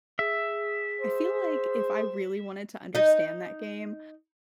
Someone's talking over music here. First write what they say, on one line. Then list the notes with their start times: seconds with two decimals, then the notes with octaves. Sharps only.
I feel like if I really wanted to understand that game,
0.19 G#4 E5
1.01 C5
2.95 D#4 D#5